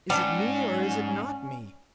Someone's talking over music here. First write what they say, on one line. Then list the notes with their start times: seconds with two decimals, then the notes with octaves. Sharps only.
'Is it me, or is it not me?
0.10 G#2 G3 C#4 F#5 A5